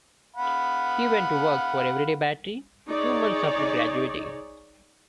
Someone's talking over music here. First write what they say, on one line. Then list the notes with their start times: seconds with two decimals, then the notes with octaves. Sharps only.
He went to work for Eveready Battery a few months after graduating.
0.36 F5 F#5 B5
2.88 D#4 G#4 C#5 D5